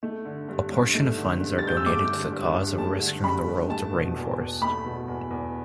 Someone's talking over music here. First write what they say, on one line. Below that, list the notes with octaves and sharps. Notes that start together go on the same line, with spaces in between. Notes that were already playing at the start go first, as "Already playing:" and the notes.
A portion of funds are donated to the cause of rescuing the world's rainforests.
A3
D3
G2
G2
A3
D3
G2
A6
G2 G6
E6
A3 D6
D3
G2
G2
A3 A5
D3
G2 B5
G2
A3 A5
B2
E2
E2
A3 B5
B2
E2
E2